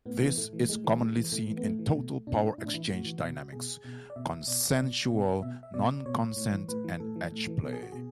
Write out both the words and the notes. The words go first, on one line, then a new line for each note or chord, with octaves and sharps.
This is commonly seen in total power exchange dynamics, consensual non-consent, and edgeplay.
A2 B3
E3
A2 A3
E3
A2 G#3
E3
A2
E3
A2 A3
E3
B3
A2 A3
E3
B2
B2 D4
A2 E4
D4
E3 E4
A2 F#4
E3
B2
B2 G#4
B2
D5
B2 E5
B2 D5
B2
B2
B2 E5
E5
B2 D5
B2 C#5
A2
E3
A2 B4
E3
A2 A4
E3
A2
E3
B2 A4
G#4
F#4
B2 G#4